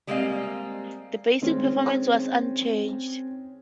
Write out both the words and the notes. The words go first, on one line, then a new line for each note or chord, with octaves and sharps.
Basic performance was unchanged.
G3 G#3 A#3 C4 D#5 F5
D#3 G#3 C4 C#4